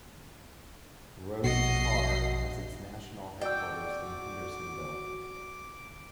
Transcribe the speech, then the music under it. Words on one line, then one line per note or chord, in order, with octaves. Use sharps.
Rhoades Car has its national headquarters in Hendersonville.
A#1 B2 F#4 D#5 C7
F#4 D5 G5 D6 E6